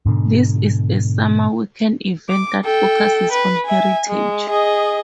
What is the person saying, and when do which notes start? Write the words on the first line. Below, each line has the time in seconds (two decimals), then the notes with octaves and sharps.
This is a summer weekend event that focuses on heritage.
0.06 G#2 B2 D3
2.29 D6
2.65 A4 G5
3.32 B4
3.65 E5 G#5
4.07 G#3
4.50 G#4 D#5